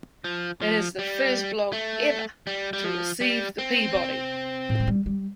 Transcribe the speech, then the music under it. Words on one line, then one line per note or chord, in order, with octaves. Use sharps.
It is the first blog ever to receive the Peabody.
F3
F3
G3
A3
G3
G3
F3
G3
C4
C3
A2
A3
G3
G3